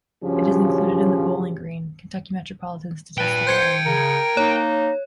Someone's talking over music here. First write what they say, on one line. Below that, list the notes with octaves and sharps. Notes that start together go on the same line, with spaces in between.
It is included in the Bowling Green, Kentucky Metropolitan Statistical Area.
G2 C#3 F3 C#4 F#4 G4
A#2 B4 G5 A5
C5 G6 G#6 C#7
C#3 A#4
A#3 D#4 C#5